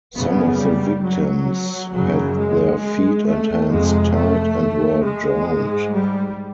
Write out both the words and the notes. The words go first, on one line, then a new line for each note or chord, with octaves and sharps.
Some of the victims had their feet and hands tied and were drowned.
F#2 C#3 B3
G3
F#3
F#2 C#3 F#3
G#3
A3
F2 C3 G#3
A3
G#3
G#2
G3